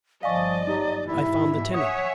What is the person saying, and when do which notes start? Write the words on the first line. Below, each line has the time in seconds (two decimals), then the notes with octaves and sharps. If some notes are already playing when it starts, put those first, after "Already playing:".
I found the tenant.
0.23 G1 F3 D5 D#5 F5 G#5 C#6
0.67 F#3 D#4 G4
1.08 G#2 B2 E3 E4 E5
1.74 C#5 E5 F#5 G#5 D#6